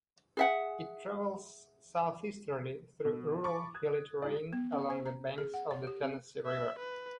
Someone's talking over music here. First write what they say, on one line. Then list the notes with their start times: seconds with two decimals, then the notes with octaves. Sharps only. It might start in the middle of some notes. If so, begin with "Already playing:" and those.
It travels southeasterly through rural hilly terrain along the banks of the Tennessee River.
0.37 G#4 E5 F#5
3.05 B2
3.43 A5 B5 C#6 D6 A6
3.74 D#6 F#6 G#6
4.22 G3 G#3 D#4 F4 G#4 D5
4.53 B3
4.72 C#4
4.90 C5
5.06 A#5
5.38 G#4
5.54 F#5
5.71 C#5
5.87 G4
6.02 C4
6.46 E5
6.79 B4